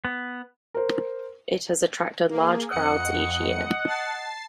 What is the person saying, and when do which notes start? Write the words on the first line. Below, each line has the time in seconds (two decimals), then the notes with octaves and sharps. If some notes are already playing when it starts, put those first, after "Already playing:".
It has attracted large crowds each year.
0.05 B3
0.74 A#4 C5
2.30 A#3 G#4
2.71 F2 D#5 F#5 C#7
3.86 A5 A6 C7